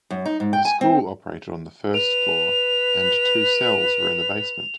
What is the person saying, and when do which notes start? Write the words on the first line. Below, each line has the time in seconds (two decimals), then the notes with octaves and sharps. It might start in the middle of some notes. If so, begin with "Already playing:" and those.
A school operated on the first floor, and two cells were in the basement.
0.10 F#2
0.26 D#4
0.40 G#2
0.53 G5
0.65 G#5
0.81 C4
1.95 B4 F7